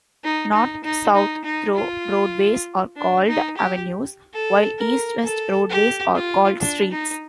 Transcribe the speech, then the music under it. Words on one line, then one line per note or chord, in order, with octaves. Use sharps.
North-south through roadways are called "avenues", while east-west roadways are called "streets".
D#4
D#4
D#4
D#4
D#4
F4
D4
D#4
G4
A4
A#4
A4
G4
F4
D4
D#4